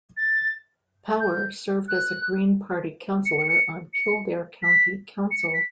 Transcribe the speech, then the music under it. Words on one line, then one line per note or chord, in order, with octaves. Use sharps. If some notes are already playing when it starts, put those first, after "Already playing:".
Power, served as a Green Party councillor on Kildare County Council.
A6
G6
F#6
C#7
C#7
C#7
C#7
B6
C#7
C#7
B6